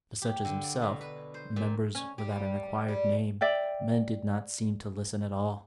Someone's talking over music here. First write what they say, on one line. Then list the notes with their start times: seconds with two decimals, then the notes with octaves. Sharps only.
To such as himself,--Members without an acquired name,--men did not seem to listen at all.
0.22 G4
0.45 D3
0.64 D5
0.82 B2
1.01 B4
1.34 C5
1.56 A#2
1.95 C#4
2.18 G3
2.88 G3
3.41 D5 E5 G5